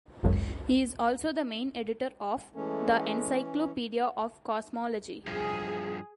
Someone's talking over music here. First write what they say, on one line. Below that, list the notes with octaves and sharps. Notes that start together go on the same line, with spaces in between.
He is also the main editor of "The Encyclopedia of Cosmology".
G#1 C#2 F#2
E3 G#3 A3 C#4
G2 F3 G#4